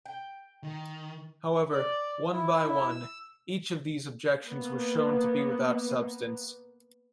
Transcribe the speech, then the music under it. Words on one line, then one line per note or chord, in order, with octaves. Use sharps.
However, one by one, each of these objections were shown to be without substance.
G5
D#3
D5
E4
E4
E6
A#3 B3